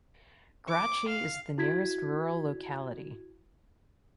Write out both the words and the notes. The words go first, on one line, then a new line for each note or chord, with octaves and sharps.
Grachi is the nearest rural locality.
D6
F5
E4 F#4 G#6 B6